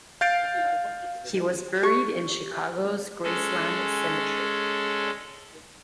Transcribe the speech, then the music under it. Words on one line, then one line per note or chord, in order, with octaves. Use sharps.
He was buried in Chicago's Graceland Cemetery.
F5 G6 A6 C7 D7
G4 C#6
G#3 C#4 A4